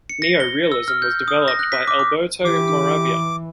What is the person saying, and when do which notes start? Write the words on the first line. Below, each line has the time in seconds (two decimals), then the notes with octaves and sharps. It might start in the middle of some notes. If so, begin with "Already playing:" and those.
Neorealism was developed by Alberto Moravia.
0.10 C#7
0.22 A#6
0.40 G7
0.72 E6
0.88 F6
1.02 G6
1.28 D#6
1.48 A#6
1.59 F#6
1.72 B6
1.87 D6
1.99 D6
2.45 E3 G4 D6